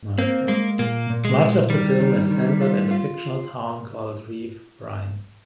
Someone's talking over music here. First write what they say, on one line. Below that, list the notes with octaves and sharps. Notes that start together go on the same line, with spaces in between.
Much of the film is centered in the fictional town called Rive-Reine.
A#3 C4
G#3 A#3
A#2 A#3
A#2
G#3
A#2
D#3 G3
D#3
D#3
F4
F4